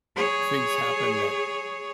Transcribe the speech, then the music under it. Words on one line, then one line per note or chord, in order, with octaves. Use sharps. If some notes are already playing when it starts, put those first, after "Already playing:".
things happen that
G#4 C#5